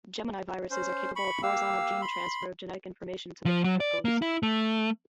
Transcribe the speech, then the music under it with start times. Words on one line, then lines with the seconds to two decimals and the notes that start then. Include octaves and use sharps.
Geminiviruses are capable of horizontal gene transfer of genetic information to the plant host.
0.71 C#4 C5
1.16 B5 C#6
1.43 A#3 G4 F5 E6
2.02 B5 C6
3.46 F3
3.64 F#3
3.80 D5
4.05 A#3
4.22 E4
4.43 A3